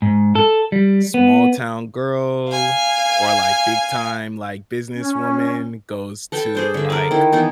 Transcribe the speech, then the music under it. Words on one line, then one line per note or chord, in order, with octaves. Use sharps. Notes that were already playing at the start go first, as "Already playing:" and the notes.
small-town girl, or like big-time, like, businesswoman goes to, like,
G#2
A4
G3
B3
F5 G#5
C#4
A4 B4 G5 A5
G#4 C5 D5
D3 E5
A#4 D5
D#3 E4
E3 B3 D#4 E4